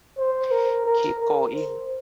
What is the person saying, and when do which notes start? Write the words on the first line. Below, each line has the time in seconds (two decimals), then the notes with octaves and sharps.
Keep going!
0.18 C5
0.51 A#4
0.86 A#4
1.20 A#4
1.54 C5